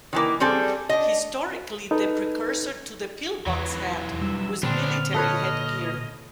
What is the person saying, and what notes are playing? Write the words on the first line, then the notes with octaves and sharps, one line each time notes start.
Historically, the precursor to the pillbox hat was military headgear.
D#3 E3 A#3
G3 C4 G#4 A4
D4 D#5
D#4 A4 B4
E2 E3 F#3
G3 D4 E6
A#2 D3 B3 C4 D4 F6
A4 B4 C#5 D#5